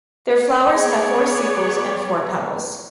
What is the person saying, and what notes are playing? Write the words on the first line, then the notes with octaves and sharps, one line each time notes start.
Their flowers have four sepals and four petals.
B3 G#4 C#5 D5